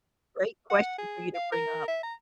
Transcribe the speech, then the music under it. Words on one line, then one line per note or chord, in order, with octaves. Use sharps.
great question for you to bring up.
F#5
G#4
F5
A#4
E5
A#5